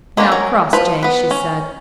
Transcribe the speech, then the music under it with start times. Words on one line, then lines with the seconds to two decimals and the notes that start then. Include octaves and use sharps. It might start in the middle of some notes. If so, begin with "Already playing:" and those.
"Now, Crossjay," she said.
0.17 G#3 A#3 B3 C#4 D4
0.32 F#3 G#4 A#4 C#5
0.73 F3 B4
1.03 B3 B4
1.31 C#4